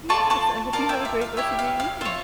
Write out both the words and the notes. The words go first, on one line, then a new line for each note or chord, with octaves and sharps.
Yes. I hope you have a great rest of your evening.
F4 A4 D5 A5 C#6
A5 C#6
F4 A#4 D5 F5 A5
E5 G5
E5
F5
E4 G4 C#5 E5
F5
F5
F4 C#5 E5